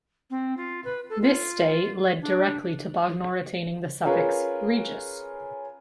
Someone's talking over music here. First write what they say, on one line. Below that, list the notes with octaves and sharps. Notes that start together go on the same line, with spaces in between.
This stay led directly to Bognor attaining the suffix 'Regis'.
C4
F4
B4
A4
F4
D4
C#4 F4 G#4 A#4 B4 C#5